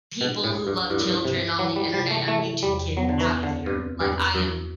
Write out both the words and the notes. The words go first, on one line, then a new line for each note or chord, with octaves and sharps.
people who love children on the internet and YouTube kids out of here, like, I am
B2 D4
A2
D2
G2
G2 E4
F#2
G2
G2 C3
F#3 E4
G3
C3 G3
A3
A3 E4
E2 G3
F#3 B3
D3
E3
D2
D3
G2 C4
E2 G2
F#2 F#4